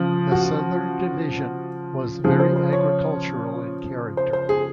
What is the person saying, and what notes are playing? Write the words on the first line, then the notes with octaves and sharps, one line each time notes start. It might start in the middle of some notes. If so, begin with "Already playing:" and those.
The Southern division was very agricultural in character.
Already playing: C#3 F3
F#4
C#3 F3 G#4
C5
C5
C#5
C5
C5
G#4